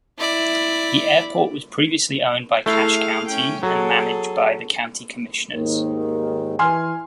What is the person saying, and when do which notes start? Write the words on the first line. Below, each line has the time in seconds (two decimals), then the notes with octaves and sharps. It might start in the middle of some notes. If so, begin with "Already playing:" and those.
The Airport was previously owned by Cache County and managed by the County Commissioners.
0.18 E4 D5
2.66 A3 E4 G#4 F5
3.27 C#4 G5
3.63 F#3 G#4 A4
5.53 D#2 G#2 D#3
6.59 E3 G#5 C6 F6